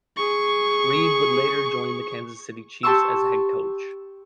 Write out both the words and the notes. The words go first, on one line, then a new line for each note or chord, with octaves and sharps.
Reid would later join the Kansas City Chiefs as head coach.
G#4 C#6
G4 A5 C6 C#6 E6